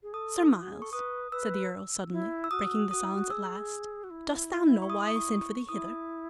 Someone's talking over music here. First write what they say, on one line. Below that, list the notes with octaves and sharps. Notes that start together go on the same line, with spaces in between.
"Sir Myles," said the Earl, suddenly, breaking the silence at last, "dost thou know why I sent for thee hither?"
G#4
A4 D#6
E4
F#4
G#4
A4 C#6
B4 D#6
B4 E6
E4
E6
F#4 D#6
F#4 D#6
E4
F#4
G#4 E6
F#4
E4
C#6
D#6
D#6
C#6
C#6
E4 D#6